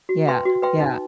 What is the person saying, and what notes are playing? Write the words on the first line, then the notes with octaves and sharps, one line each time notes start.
Yeah, yeah.
F#4
B4 E5 G5 C6
F#4
B4 E5 G5 C6
D#4